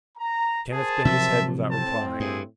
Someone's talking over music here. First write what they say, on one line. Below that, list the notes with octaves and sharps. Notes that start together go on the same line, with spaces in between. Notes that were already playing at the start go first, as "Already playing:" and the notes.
Kenneth bent his head without replying.
A#5
G#4 A#4 C5 A5
C3 F3 F#3 E5
A2 C4 A5
G2 G#4